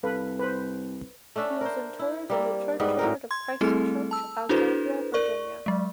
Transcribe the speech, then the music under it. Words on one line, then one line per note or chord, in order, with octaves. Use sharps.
He was interred in the churchyard of Christ Church, Alexandria, Virginia.
C2 A4 B4 F5
B4 C5
A3 C#4 D4 E5
A#4 C5
E4
G3 A#3 C4
G#2 G3 B3
A2 F#3 A#4
C6 G#6
G3 A3 C4 E4 G#4 A4
A5 E6
D4 E4 F#4 A4 B4 C5
A#4 D5 C#6
F#3 G#3